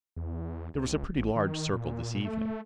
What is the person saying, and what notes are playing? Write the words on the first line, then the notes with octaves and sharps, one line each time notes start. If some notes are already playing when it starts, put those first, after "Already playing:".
There was a pretty large circle this evening.
E2
C#2
A1
D#3
A#2
A3